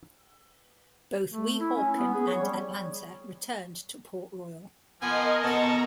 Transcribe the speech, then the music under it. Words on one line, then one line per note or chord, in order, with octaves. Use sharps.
Both "Weehawken" and "Atlanta" returned to Port Royal.
A3
E4
C#4
B3
G#4
C#5
G3
F3 B3 A#4 D#5 G#5
B2 F#4 A4 C5 A5 A#5